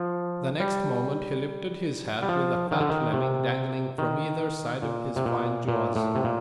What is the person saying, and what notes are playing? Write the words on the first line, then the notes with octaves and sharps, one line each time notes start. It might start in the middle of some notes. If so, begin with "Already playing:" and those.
The next moment he lifted his head with a fat lemming dangling from either side of his fine jaws.
Already playing: F3
G3
G3
F3
D#3
D3
D#3
C3
D#3
A#2
C3
A#2
A#2
A2
C3
A#2